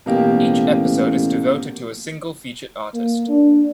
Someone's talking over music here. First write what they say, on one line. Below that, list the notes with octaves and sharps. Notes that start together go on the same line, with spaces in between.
Each episode is devoted to a single featured artist.
A1 B2 A#3 G4
A#3
D4